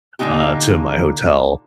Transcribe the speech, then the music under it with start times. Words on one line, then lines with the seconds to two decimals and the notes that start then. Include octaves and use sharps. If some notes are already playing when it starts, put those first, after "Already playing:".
uh, to my hotel,
0.19 A#2 D3 A3 C#4 D#4 G4